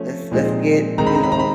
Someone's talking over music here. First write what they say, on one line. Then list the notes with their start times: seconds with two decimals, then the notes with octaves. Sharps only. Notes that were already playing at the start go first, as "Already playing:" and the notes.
let's let's get, you know,
Already playing: F3 A3 C#4
0.31 A#2 F3 G#3 C4 D#4
0.98 D#3 G#3 C4 D#4 A#5
1.07 B5
1.15 A#5
1.23 B5
1.32 A#5
1.40 B5